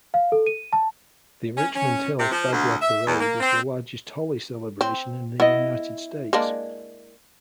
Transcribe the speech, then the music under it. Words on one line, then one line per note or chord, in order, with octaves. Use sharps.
The Richmond Hill Phagwah Parade is the largest Holi celebration in the United States.
F5
A4
D#7
A5
C#4
C#4
C3
F3
D2
E5
E2
A#3
C4
C4
B3 E4 D#5
G#3 A#3 D4